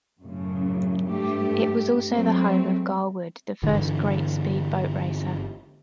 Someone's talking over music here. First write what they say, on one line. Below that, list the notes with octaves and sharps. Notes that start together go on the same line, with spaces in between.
It was also the home of Gar Wood the first great speed boat racer.
F#2 A2 C#3
G2 A3 G4
F#3 G#3 A3 C4
G1 G2 D3 E3